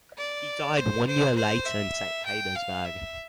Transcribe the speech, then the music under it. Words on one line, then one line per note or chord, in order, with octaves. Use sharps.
He died one year later in Saint Petersburg.
D5
C5
C5
C5
E5
G5
F5
E5